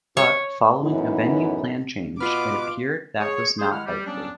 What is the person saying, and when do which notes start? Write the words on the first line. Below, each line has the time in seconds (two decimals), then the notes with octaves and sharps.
But, following a venue plan change, it appeared that was not likely.
0.17 C#5
0.81 F#2 A2 E3 B3 D#4 E4
2.20 B2 B3 F4 B4 D6 F6
3.20 G#4 C#5
3.59 G#4 C5
3.71 D#3 G#3 E4 F#5 F6
3.87 G3
4.06 F#3 G3 B3 C#4 D4